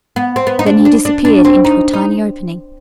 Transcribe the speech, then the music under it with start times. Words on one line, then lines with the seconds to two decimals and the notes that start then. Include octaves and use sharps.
Then he disappeared into a tiny opening.
0.16 B3
0.36 C4
0.47 B3
0.59 D#4
0.66 D4
0.85 D4
1.05 D4
1.25 D4
1.45 C4
1.65 D#4
1.93 D#4